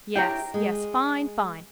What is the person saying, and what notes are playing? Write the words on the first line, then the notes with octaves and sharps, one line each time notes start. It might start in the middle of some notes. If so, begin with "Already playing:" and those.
Yes, yes--fine, fine.
E4 G4 C#5 G5 A#5
G#3